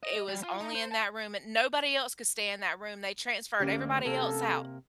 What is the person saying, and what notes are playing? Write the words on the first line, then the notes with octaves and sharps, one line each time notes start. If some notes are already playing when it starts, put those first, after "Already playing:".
it was only in that room and nobody else could stay in that room, they transferred everybody else out
D#5
G3
F4
D#4
C5
A5
D2 A3 A#3 C#4 G4
C3 A#3 A4